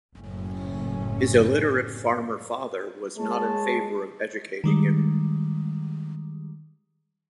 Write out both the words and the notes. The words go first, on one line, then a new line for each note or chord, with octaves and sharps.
His illiterate farmer father was not in favor of educating him.
F#1 A2 C#4
G#3 C#5 A5
D#3 G3 G#3